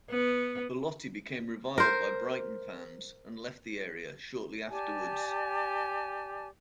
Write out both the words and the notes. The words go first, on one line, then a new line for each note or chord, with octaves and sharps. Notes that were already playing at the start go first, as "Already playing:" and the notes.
Bellotti became reviled by Brighton fans and left the area shortly afterwards.
B3
A#4 C5
G4 D5 G#5 A5